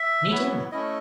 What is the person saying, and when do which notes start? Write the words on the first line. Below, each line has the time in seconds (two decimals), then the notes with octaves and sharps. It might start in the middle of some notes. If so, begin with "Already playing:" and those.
Me too!
Already playing: E5
0.30 F#3 B3 E4
0.71 A3 C#4 E4 D#5